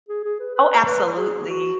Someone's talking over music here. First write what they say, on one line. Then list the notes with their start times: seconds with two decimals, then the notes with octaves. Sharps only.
Oh, absolutely.
0.09 G#4
0.24 G#4
0.40 B4
0.55 B4
0.86 B4
1.18 G#4
1.49 F#4